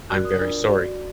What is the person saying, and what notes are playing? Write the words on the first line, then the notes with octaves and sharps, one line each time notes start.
I’m very sorry.
F#4 A#4 D5 F#6
D#6
D4 F4 A#4 D5
F#4 D5